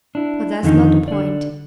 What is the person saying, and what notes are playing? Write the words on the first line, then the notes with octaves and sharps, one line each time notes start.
But that's not the point.
D4 E4
F2 D3 D#3 D#4
D3 D5